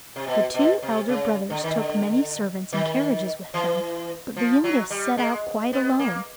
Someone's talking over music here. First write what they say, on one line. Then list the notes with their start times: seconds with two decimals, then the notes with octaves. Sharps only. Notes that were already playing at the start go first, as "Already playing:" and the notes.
The two elder brothers took many servants and carriages with them, but the youngest set out quite alone.
0.16 C3
0.27 B2
0.54 B2
0.83 C3
1.09 C#3
1.50 D3
1.64 D#3
1.76 D3
2.73 D#3
3.54 E3
4.37 F3
4.64 F#3
4.90 G3
5.17 G#3
5.73 B3
5.99 A#3